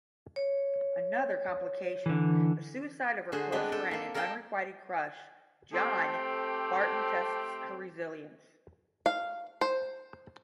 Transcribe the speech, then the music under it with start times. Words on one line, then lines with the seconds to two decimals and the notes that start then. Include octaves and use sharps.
Another complication-the suicide of her close friend and unrequited crush, John Barton-tests her resilience.
0.36 C#5
2.06 D3 E3
3.32 D3 F#4 G#4 C5
3.52 G#3 B3 C4 D4 B4 G5
3.72 A4 G5
3.91 A#3 A4
4.14 A4 A#4 D5 F5 G5 A5
5.73 A3 C4 G4
9.06 F5
9.61 C5